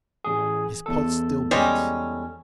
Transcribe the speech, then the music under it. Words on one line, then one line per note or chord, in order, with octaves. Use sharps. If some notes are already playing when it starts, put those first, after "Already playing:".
His pulse still beats.
A1 G#4
E2 A4
G3 G#3 C#4